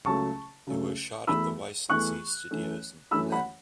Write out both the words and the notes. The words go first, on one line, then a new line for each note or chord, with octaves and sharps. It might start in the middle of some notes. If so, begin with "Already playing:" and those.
It was shot at the Weissensee Studios in Berlin.
C#2 C#3 F#3 A3 A5 C#6
C#2 C#3 F#3 A3
E2 E3 A3 B5 E6
E2 E3 A3 C#6 F#6
F#2 E3 A3
F#2 E3 A3 B5 E6
F#5 B5